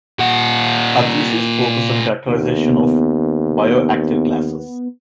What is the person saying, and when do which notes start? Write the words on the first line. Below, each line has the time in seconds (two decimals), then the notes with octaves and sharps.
Her thesis focused on characterization of bioactive glasses.
0.19 A#2 F#5
2.28 D#2 B3